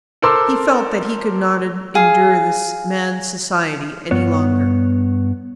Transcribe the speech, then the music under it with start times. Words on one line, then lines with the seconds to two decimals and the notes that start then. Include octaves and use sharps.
He felt that he could not endure this man's society any longer.
0.22 A4 A#4 C5 C6 D6 E6
1.95 G#4 F5
4.11 G2 B3 C#5